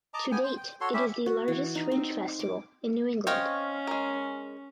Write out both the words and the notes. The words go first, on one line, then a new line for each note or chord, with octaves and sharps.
To date it is the largest fringe festival in New England.
D#5 A5 A#5 D6
B3 G5 G#5
C5
G5
F#4 A4 C#5 C6
C#4 E4 G4 E5
F#4
E3
D#4
C4
D6
C4 C#4 C#5 D#5 F5 G5
G#3 A#4